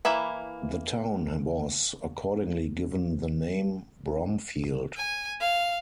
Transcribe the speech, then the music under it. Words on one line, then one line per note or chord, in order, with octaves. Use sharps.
The town was accordingly given the name "Bromfield".
E3 A#3 E4 E5 B5
G#5
F5